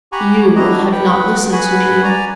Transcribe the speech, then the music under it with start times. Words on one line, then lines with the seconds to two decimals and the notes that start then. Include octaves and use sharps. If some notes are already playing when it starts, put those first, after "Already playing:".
You have not listened to me.
0.12 G4 F#5 G#5 A#5 B5 C#6
0.56 D4 E4 F#4 G4 D#5 A#5
0.92 B4 F#5 G5
1.52 F#4 G#4 B4 F#5 G#5 B5
2.04 D5 G#5 A#5